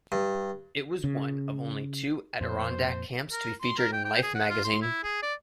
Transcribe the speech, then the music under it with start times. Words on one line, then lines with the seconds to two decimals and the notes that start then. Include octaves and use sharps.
It was one of only two Adirondack camps to be featured in "Life" magazine.
0.12 G2
1.04 C#3
2.41 F2 A#2 C5
3.32 A#4
3.61 C6
3.78 A#4
3.93 G5
4.05 G5
4.23 G#4
4.35 F#5
4.50 F4
4.64 C6
4.82 E4
5.04 G#4
5.23 D5